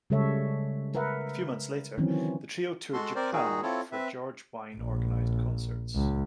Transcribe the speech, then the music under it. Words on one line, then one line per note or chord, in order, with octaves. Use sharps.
A few months later, the trio toured Japan for George Wein-organized concerts.
C#3 G3 G#3 A4 C#5 E5
A#4 B4 E5 F#5
D#3 E3 F#3 C4 C#4
G#3 F#4 A4 C6
C4 A#4 C5 D5
A#2 D#3 D#4 F#4 G#4
C4 E4 F4 A4 C#5
C4 B4 E5
A#1
C#2